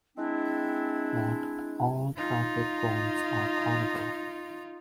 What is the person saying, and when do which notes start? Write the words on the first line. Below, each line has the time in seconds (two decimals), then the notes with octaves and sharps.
Not all traffic cones are conical.
0.17 G#3 C4 D4 E4
2.17 D#4 F4